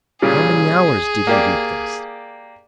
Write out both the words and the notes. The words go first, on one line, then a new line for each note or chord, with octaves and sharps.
How many hours did he weep thus?
A#2 C#3 G3 G#4
A#3 G4 D5